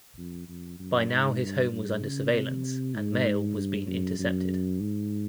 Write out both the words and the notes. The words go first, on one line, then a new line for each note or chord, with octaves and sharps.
By now his home was under surveillance and mail was being intercepted.
F2
F2
F#2
G#2
G2
G2
C#3
C3
G#2
G2
F#2
F#2
G#2